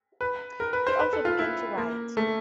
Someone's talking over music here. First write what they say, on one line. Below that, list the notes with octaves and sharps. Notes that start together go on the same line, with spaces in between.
He also began to write.
B4
A#4
B4
C5
B4
A4
F4
E4
A#3
A3